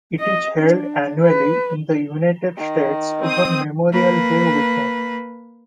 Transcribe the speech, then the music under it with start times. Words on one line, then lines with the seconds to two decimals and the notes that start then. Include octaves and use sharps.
It is held annually in the United States over Memorial Day weekend.
0.20 D#5
0.59 D4
1.22 B4
2.57 D#3
3.22 C4 D#6
3.92 A#3 B4